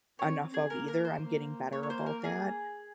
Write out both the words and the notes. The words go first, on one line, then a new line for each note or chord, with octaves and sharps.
enough of either, I'm getting better about that,
C4 C#5
G#4
A#3 A#4
A#4
C5
A#3
A#3 C#5
C#5
C5
A#4
G#4